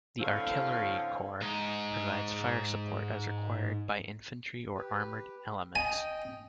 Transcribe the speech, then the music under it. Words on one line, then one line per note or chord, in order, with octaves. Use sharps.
The Artillery Corps provides fire support as required by infantry or armoured elements.
A2 D3 C4 C#4 C#5 F5
G#2 D#4
G4 B4
D#5 G5 G#5